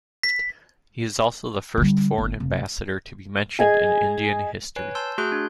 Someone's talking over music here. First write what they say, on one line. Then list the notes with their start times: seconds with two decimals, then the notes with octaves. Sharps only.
He is also the first foreign Ambassador to be mentioned in Indian history.
0.23 B6
1.78 D3 G3
2.18 G1
2.40 F1
3.59 G#4 D#5 G#5
4.76 B4 C#5 G#5
4.95 A5 C6 E6 G6
5.18 A3 F#4 G#4 C6 F#6 G6
5.32 D4